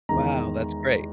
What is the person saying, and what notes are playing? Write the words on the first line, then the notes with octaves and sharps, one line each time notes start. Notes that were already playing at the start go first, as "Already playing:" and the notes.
Wow, that's great.
E2 D#3 G#3 A#5